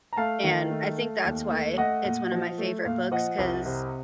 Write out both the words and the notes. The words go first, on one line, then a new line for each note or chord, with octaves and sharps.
And I think that's why it's one a my favorite books 'cause
A#5
A3 F5 A5
D#3
A3
A3
D#2
A3
A3 D#5 F#5
A#2
F3
A3
A#2 F5
F3 D#5 F#5
C2
C3